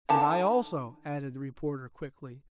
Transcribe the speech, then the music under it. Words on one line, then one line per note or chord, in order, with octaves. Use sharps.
"And I also," added the reporter quickly.
D3 D#3 A5